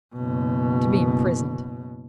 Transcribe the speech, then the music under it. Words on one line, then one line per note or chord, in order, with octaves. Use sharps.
To be imprisoned.
F#1 B2